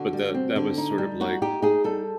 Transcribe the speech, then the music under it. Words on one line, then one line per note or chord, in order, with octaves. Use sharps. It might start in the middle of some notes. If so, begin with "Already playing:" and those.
but the that was sort of like,
Already playing: D3 F#4
G3
C4
D3
D#4
G3
D#4 F#4
D#4 G4
D#4 G#4
G3 A4